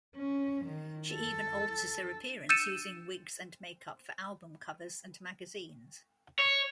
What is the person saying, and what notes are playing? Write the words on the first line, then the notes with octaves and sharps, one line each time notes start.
She even alters her appearance using wigs and make-up for album covers and magazines.
C#4
D#3
A4
E6 G6 A6 C#7 D#7 E7
C#5